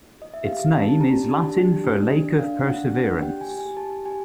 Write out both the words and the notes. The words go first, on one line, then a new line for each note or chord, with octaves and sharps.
Its name is Latin for Lake of Perseverance.
D#5
E5
G4 F5
D4 A5
A5
G4 A#5
D4 A5
G4
D4
D4 D#5
D4 F5
D4 F#5
D4 F#5
G4 G5
G#5
G4
G#5
G4 A5
G4 G#5